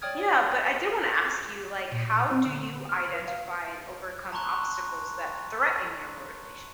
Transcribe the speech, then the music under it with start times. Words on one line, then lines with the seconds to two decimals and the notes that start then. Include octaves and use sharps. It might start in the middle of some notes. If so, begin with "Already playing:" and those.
Yeah, but I did wanna ask you, like, how do you identify and overcome obstacles that threaten your motivation?
0.02 C#5 D5 G5 D#6 F6 G#6
1.92 A#2
2.31 C4
2.46 D3
2.89 F6
3.13 B4
3.28 F5
4.32 A5 A#5 C6 C#6 F#6